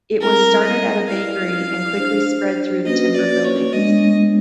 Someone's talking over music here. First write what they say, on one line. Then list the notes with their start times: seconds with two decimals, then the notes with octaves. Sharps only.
It was started at a bakery, and quickly spread through the timber buildings.
0.19 G3 C4 E4 A#4
0.64 D#5
1.08 E4 G4 B4 D5 F5
1.96 D4 G4 C5
2.85 A#3 C#4 F#4 B4 D#5
3.15 D5
3.45 C#5
3.73 G#3 B3 D4 D#5